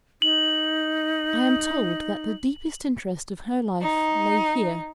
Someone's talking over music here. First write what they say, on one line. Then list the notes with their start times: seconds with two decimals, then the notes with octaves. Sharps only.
I am told that the deepest interest of her life lay here.
0.22 D#4 F#7
3.80 D#4